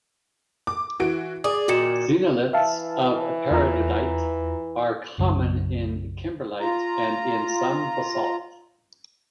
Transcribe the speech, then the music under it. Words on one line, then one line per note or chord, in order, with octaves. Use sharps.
Xenoliths of peridotite are common in kimberlite and in some basalt.
D6
E3 F#4 D7
G#4 D5
A#2 D#3 F#4 C#7 E7
E3 E5 F5 A5
E2 F4 A#5
B1 F#2 C#3 F#3
F4 A#5